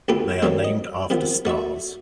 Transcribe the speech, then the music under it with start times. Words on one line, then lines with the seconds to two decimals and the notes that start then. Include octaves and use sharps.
They are named after stars.
0.08 D2 B2 F4 G4 A4 B4
0.42 D#3 F#3 G3 A3 C4
0.64 D#5
1.10 C3 D#3 F3 B3
1.45 A3 F#4 D5 E5